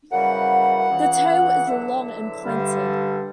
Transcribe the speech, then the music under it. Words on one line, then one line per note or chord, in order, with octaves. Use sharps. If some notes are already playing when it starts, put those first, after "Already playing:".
The tail is long and pointed.
F#2 C#3 E3 G3 F#5
C#2 C#3 E3
E2 D3 F#3 E5
G2 D3 G3